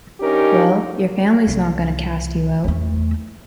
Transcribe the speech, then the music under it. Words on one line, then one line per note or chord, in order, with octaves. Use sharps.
Well, your family's not gonna cast you out.
G2 C#4 D#4 G4 A#4
C2
E2 A3